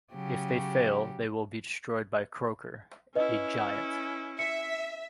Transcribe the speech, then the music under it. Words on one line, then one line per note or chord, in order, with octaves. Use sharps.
If they fail, they will be destroyed by Croker, a giant.
C#3 F#3 G4
C#4 E4 B4 D#5
E5 C#7